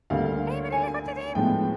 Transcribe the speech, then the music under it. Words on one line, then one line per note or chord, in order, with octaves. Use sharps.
He immediately quit the team.
D2 D3 G3 A#3 F5
G#5
A2 F3 G#3 B3 G5